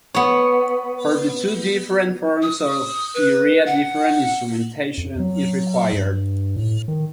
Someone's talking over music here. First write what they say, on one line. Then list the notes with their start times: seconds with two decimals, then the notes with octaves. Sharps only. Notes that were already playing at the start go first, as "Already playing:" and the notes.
For the two different forms of urea, different instrumentation is required.
0.14 B3 C#5
2.42 D#6
3.14 B4
3.66 F#5
4.98 F2
5.19 F#3
5.93 G2
6.56 A2
6.88 D#3